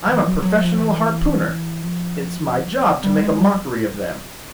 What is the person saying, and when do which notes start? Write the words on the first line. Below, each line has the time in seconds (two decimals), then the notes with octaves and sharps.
"I'm a professional harpooner! It's my job to make a mockery of them!"
0.09 E3
0.26 F#3
0.42 F#3
0.60 F3
0.78 E3
1.82 F3
3.04 G3
3.22 G#3
3.39 G3